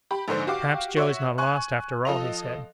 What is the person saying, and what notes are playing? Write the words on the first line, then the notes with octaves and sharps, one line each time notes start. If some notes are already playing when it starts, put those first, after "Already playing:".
"Perhaps Joe is not lost after all," he said.
G4 B5
A#1 G#2 D3 C5
F#4 G4 F5 D6
F#4 C#5 E5
G#5 C#6 F#6
F3 A4 D#5 F7